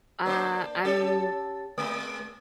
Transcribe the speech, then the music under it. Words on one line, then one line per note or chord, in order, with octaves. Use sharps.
uh, I'm
A#3 D4 C5
C#4 G4 A4
G#3 A#3